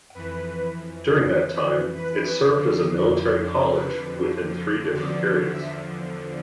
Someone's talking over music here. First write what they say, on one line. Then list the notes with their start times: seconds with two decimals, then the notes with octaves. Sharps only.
During that time, it served as a military college within three different periods.
0.15 F2 E3 B4
1.95 B4
2.54 F2 D3 F3
3.14 E4
3.44 D4
3.74 B4
4.94 E2 D3 F3 D5
5.53 E5